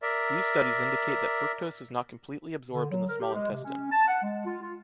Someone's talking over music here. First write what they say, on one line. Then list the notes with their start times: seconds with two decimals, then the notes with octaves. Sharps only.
These studies indicate that fructose is not completely absorbed in the small intestine.
0.02 A#4 D5 E5
2.73 D3
2.91 F#3
3.09 A#4
3.20 G4
3.34 G#3
3.51 C3
3.65 C#4
3.92 A5
4.08 F#5
4.23 G#3
4.46 F4
4.62 F4